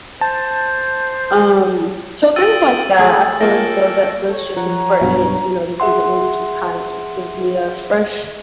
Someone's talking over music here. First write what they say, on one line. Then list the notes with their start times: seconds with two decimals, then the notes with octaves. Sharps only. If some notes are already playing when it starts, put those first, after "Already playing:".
Um, so things like that, I feel as though that those just important, you know, because it really just kinda just gives me a fresh
0.21 C5 A5
2.36 F4 G5 D#6 E6 A6
2.99 A3 G#4
3.41 A3 A#3 F4 C#5 G5 A#6
4.29 A4 C#5
4.56 F3 F#5 A#5
5.02 B1 G2 B2 F#3
5.80 G#4 E5 F#5 C6